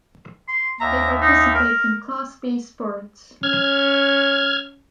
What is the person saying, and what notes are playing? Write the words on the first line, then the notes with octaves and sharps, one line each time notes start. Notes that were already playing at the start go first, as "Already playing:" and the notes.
They participate in Class B Sports.
C6
D#2 E5 A#5
D#4
A#4
C#4 F6 G#6